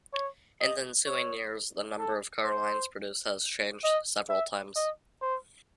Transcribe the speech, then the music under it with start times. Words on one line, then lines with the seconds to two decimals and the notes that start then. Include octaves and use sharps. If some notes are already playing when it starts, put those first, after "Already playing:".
In the ensuing years, the number of car lines produced has changed several times.
0.14 C#5
0.61 D#5
1.06 C#5
1.99 A4
2.44 C5
3.84 D#5
4.29 E5
4.76 D#5
5.22 C5